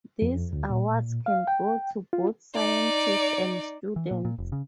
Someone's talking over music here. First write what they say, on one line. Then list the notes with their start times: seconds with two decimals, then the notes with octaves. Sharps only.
These awards can go to both scientists and students.
0.22 F2
0.53 D2
0.70 A#2
1.26 F5
1.47 G5
2.13 F4
2.55 D#4 D5
3.96 E3
4.11 A#2
4.25 A#2
4.39 F1
4.52 C#3